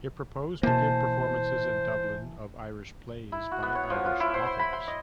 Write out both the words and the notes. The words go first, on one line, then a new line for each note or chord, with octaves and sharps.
It proposed to give performances in Dublin of Irish plays by Irish authors.
B2 E3 A#3 C5 A5
E4
F#4
B3
C#5
F3
F4
E4
C5
C6
B5
C6
D#5